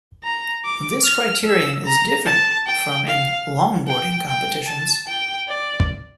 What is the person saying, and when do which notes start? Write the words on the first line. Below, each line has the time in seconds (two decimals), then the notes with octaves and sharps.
This criterion is different from in longboarding competitions.
0.23 A#5
0.65 D6
1.04 F6
1.46 E6
1.86 A#5
2.26 A5
2.66 G5
3.07 F5
3.87 G5
4.28 G5
4.68 A5
5.08 G5
5.48 D5